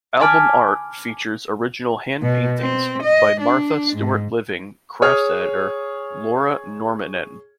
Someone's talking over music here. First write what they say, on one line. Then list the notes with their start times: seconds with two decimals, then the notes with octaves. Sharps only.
Album art features original hand-paintings by "Martha Stewart Living" crafts editor Laura Normandin.
0.20 G#5 A5 B5 D6 F6 G#6
2.22 B2
2.59 C4
3.02 D#5
3.40 D4
3.95 G#2
5.02 G#4 C#5 D#6 F6